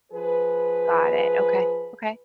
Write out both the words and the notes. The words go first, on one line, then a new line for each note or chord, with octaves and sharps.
Got it, okay. Okay.
F3 G#4 B4